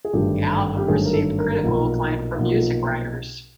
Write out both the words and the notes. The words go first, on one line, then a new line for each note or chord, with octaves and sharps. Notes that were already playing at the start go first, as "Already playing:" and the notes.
The album received critical acclaim from music writers.
G#4
G#1 G2 D3 F#3 A3 G4
G4
G#1 G2 D3 F#3 A3 G#4
A#4
A4
A#4
B1 A#2 F3 A#3
B1 A#2 F3 A#3